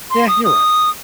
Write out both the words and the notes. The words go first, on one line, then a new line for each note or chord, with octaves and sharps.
yeah, you're right.
C6
D#6
D#6